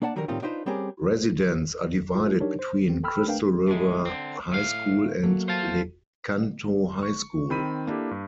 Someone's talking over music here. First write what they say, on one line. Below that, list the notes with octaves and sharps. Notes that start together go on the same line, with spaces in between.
Residents are divided between Crystal River High School and Lecanto High School.
A#3 D4 D5 F#5 A5
D3 D#3 F#3 G3 A#4
A2 C3 D#3 G3 C4 F4
D4 D#4 F4 B4 C5
G3 C4 C#4 G4 G#4 A#4
F4
F#3 D4 D#4 G4 A#4 C#5
C5
E3 C4
A4 G5 B5 E6 F6
A3 D4 A#4 B4 F5 G5
A2 G#3
D3 C4
A2 F5
F#3 A3 A#3
C5 F5 A5
C#6
D#3 C4 B5 B6 D#7
A#3 D4 E4 G4 A4
G2